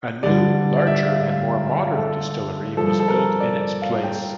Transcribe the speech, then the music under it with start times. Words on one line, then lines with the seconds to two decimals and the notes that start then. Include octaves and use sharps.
A new, larger and more modern distillery was built in its place.
0.23 G2 D3 G3 D5
0.77 D5
0.87 E5
1.07 F5
1.22 E5
1.29 F5
1.50 F5
1.66 E5
1.81 F4
1.97 A4
2.77 G2 F3 A4
3.00 A4
3.08 A#4
3.40 D5
3.61 D5
3.82 F5
4.03 G5